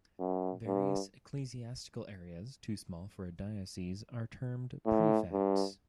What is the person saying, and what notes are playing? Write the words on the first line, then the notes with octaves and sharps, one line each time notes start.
Various ecclesiastical areas, too small for a diocese, are termed prefects.
F#2
G2
A2
G2